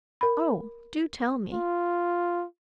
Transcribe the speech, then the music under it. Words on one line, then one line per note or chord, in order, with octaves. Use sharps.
Oh, do tell me!
A#4 B5
F4